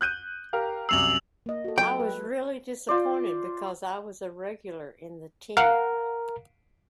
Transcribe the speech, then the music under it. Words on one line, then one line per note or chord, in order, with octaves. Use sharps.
I was really disappointed because I was a regular in the team.
F#6 G6 D#7
G4 A#4 F5
C2 F#2 E6 C7 F7 F#7
A#3 D#5
F#4 A4
F#3 F4 A4 G5
B4
F4 C5 D5
A#4 F5 F#5